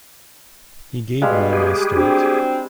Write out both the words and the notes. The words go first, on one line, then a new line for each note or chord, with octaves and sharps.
He gave me my start.
B2 G3 G#3 F5
G4 G#4
C4 D4 F#4